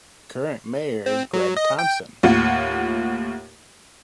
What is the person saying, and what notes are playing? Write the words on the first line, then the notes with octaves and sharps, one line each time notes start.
Current mayor is Greg Thompson.
C4
F#3
D#5
G5
D#2 A2 F4 F#5